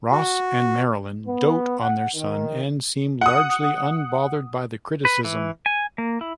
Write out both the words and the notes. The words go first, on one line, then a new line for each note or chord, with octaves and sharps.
Ross and Marilyn dote on their son and seem largely unbothered by the criticism.
F#4
B3
F#5
D#3
F#5 D#6
B4
E3
G#5
A#3
E4